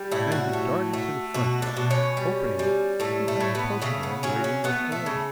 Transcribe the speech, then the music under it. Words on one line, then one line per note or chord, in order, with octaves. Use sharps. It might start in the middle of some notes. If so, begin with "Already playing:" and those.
Then he darted to the front door. Opening it, he found the postman waiting with a letter.
Already playing: G3
A2 E4
F#4
A3
A3
B2 F#4
D4
B2
C#4
G3
G3
A2 A3
A3
A2
B3
C#3 A3
B3
F#3 C#4
C#4
A3 B3
A3
C#3